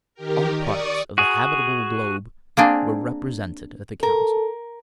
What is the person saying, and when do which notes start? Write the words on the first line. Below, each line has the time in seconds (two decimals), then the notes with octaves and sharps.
All parts of the habitable globe were represented at the Council.
0.15 D#3 G4 A#4
0.57 D5 C#6 D#6
1.18 F#4 G#4
2.57 A#3 C4 D4 G#4
4.03 A4 A#4